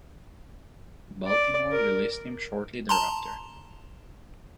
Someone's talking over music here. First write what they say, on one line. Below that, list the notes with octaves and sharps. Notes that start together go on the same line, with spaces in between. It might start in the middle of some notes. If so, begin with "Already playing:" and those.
Baltimore released him shortly thereafter.
D5
A#4
A5 A#5 C6